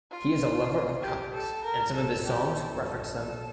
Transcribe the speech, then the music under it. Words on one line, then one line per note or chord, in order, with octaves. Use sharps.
He is a lover of comics, and some of his songs reference them.
F4
G4
A4
A#4
A4
G4
A4
A4